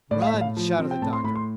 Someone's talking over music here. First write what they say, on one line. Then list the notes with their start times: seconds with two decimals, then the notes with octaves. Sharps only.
"Run!" shouted the doctor.
0.11 A2 D5
0.22 F5
0.26 E5
0.34 A2
0.41 F5
0.57 F3
0.79 C4
0.91 G5
1.02 A2 A5
1.13 C6
1.24 A2 B5
1.36 C6